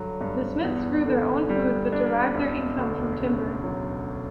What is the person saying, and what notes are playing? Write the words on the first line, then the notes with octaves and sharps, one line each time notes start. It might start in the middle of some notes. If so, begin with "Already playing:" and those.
The Smiths grew their own food but derived their income from timber.
Already playing: G2 D3 F#3
G2
E2
D3
G3
D4
E1
D2
C#3
F#3